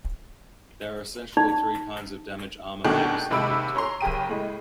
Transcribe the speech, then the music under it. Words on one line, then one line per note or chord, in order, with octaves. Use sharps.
There are essentially three kinds of damage armor may be subject to.
D#4
B2 D#3 A3 D4 F#4 G#4
D#2 C3 G#3 B5 E6 D7
C#5 A#5 C6
F#1 C#3 G4 D#7
A2 G#3